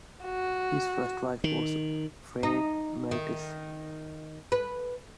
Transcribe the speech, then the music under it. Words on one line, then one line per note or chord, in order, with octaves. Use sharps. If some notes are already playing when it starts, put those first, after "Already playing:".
His first wife was Faye Maltese.
F#4
D#3
D#4
D#3
B4